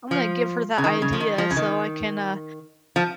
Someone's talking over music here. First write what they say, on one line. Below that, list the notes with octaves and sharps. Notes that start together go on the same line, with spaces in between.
I'm gonna give her that idea, so I can, uh,
F3
C#3
D#3
C#3
F3
D#3
F3
C#3
D#3
F3